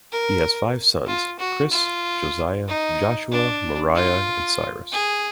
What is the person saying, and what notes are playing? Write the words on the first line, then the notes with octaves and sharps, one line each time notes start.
He has five sons, Kris, Josiah, Joshua, Moriah and Cyrus.
A#4
F4
F#4
F4
D#4
D4
F4
G#4